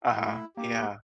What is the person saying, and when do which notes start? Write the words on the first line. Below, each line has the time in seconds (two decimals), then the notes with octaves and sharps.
Uh-huh, yeah.
0.17 A3 E4
0.57 A#3 G4